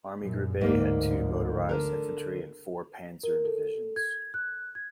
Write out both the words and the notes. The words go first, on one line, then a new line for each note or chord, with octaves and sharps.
Army Group A had two motorised infantry and four "panzer" divisions.
F#2 A#2
A1 D2 G#2 A#3 D5
D3 A4 A#4
A#4
A4
G#6
F#6
G#6